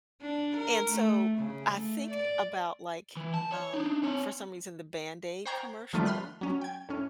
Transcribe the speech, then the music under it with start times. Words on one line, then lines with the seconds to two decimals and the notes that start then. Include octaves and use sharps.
And so I think about, like, um, for some reason, the Band-Aid commercial.
0.22 D4
0.57 A#4
0.91 A3
1.38 C#3
1.74 A3
2.11 D5
3.17 E3
3.34 A5
3.52 C#5
3.73 D4 D#4
4.03 C4 C#5
5.45 C5 F#5 G5 A#5 C#6 G#6
5.93 D#3 F3 G3 A3 B3 F4
6.05 B5 C6 F6 F#6
6.41 F#3 C#4
6.61 G5 G#6
6.89 A2 C#4